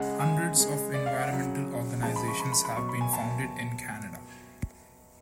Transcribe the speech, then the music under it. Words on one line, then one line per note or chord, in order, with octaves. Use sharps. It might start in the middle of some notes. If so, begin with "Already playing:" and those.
Hundreds of environmental organizations have been founded in Canada.
Already playing: C#3 G#3 F#5
G#5
C#3 G#3
D5
F5
F#5
C#3 F#3
C#3 F3 G#3 A5
B5
C#6
B5
B5
B5
B2 F#3 C#6
B5
G#5
A5